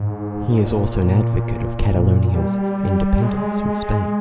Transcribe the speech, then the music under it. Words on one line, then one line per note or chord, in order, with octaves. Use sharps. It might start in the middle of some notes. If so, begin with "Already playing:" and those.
He is also an advocate of Catalonia's independence from Spain.
Already playing: G#2
A#2
G3
G#3
G#3